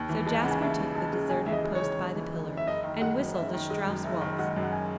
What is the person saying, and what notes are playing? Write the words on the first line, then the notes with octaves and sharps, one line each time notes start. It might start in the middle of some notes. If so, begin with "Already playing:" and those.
So Jasper took the deserted post by the pillar, and whistled a Strauss waltz.
Already playing: D#2
E3
G#3 A5
G#5
C#3 F#5
G#5
D#2 E5
E3
G#3 A5
C#3
D#2 G#5
E3 E5
D#5
G#3
C#5
C#3
D#2
E3
G#3
C#3
E5
F#1 D#5
D#3
G#3 F#5
F#2
F#1 E5
D#3
G#3 D#5
F#2
F#1 E5
D#3
G#3 F#5
F#2
F#5
G#5